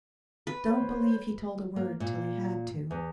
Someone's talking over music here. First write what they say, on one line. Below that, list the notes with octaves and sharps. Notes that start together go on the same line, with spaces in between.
Don't believe he told a word till he had to.
B4
C5 C#5
A#3
A#2
E2